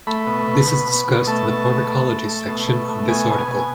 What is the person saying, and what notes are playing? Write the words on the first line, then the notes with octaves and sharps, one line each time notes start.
This is discussed in the Pharmacology section of this article.
A3 B5
B2
B2
B2
B2
B2
A3 A5
B2
A3
A3
A3
A3
B2
A3
A3
B2 G#5
B2
G#5
B2